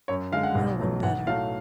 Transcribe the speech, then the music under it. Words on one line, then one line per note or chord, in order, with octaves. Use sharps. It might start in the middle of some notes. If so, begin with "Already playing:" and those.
No one better.
F#2 C#5
D3 G#3 F5
F#5
B1
B2 F#3 A3
B1 F#5
A2 F#3 A3 F5